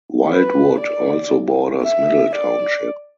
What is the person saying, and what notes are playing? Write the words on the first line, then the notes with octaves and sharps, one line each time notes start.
Wildwood also borders Middle Township.
B4
D5
E5
D5